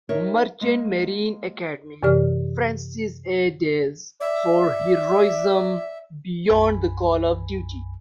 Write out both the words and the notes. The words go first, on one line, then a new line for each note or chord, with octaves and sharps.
Merchant Marine Academy, Francis A. Dales for "Heroism beyond the call of duty".
D#4 A#4 C#5 D#5 E5
G#3 A#3
F#2 C3 E3 G4 D5 F6
D5 E5
B1 F#2 G#5 B5